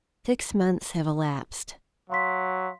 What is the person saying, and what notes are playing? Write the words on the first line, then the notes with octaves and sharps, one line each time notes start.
SIX months have elapsed.
F#3 F5 C6 B6